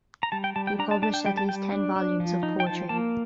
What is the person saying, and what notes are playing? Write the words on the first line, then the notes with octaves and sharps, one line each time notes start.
He published at least ten volumes of poetry.
A#5
G3 A5
G5
G3 A5
G5
D4 A#5
A5
D4 A5
G5
G3 G5
A5
G3 G5
D4
D4
F3
D#4
G5
F3 A5
A#3 A5